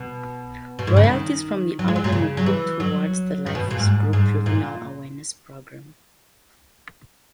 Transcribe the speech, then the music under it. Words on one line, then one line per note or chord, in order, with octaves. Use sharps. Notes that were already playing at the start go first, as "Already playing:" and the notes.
Royalties from the album were put toward the Lifers Group Juvenile Awareness Program.
Already playing: B2
B2
G#2
C#3
D#3
F#3
G#3
F#3
A#2
C#3
F#3
E3
F#3
D#3
B2
A#2
G#2
G#2
A#2